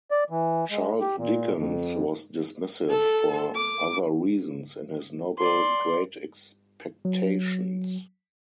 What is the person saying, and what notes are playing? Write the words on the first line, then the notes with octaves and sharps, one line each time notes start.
Charles Dickens was dismissive for other reasons in his novel "Great Expectations".
D5
E3
G#3
G4
A#2
F2
A4
D6
D5 C6
F#3